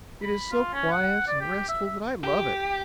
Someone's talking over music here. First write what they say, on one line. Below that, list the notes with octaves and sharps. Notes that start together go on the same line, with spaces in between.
It is so quiet and restful that I love it.
B5
F4
C#4
F#5
D5
G4
E5
E5
G4